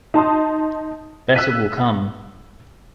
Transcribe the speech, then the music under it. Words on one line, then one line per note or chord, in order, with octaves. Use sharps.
Better will come.
D#4 A5 C6 D#6
E6 F#6 B6 D#7